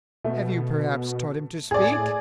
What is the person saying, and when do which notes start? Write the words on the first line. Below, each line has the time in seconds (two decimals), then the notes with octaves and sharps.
"Have you perhaps taught him to speak?"
0.24 B2 A3
1.71 A2 G#4 D5